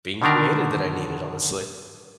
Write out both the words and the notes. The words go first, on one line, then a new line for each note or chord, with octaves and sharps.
being created, that I needed, honestly.
B2 D3 D#3 D4 A#4